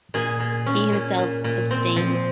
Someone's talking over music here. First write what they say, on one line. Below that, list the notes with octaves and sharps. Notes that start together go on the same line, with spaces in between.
He himself abstained.
A#2 G#4
A#2
C#4
A#2
A#2
A#2
C4
F3